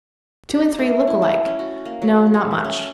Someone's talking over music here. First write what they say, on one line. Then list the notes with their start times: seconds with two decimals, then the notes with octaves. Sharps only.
Two and three look alike--no, not much.
0.50 G4
0.79 A3
1.07 E4
1.22 A5
1.46 C#4
1.59 F#4
1.85 A#3
2.02 F#3
2.34 A4
2.51 E5
2.64 C#4